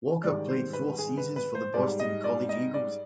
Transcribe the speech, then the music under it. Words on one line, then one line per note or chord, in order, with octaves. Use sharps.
Walker played four seasons for the Boston College Eagles.
G#2 D#3 G3 D5
C5
B4
G#4
B4
B4
C5
G#2 G3 D5
D#5
D5
D#5
D5